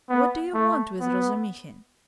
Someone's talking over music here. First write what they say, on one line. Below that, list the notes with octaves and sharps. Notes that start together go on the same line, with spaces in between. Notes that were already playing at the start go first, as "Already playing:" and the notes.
What do you want with Razumihin?
B3
A3
B3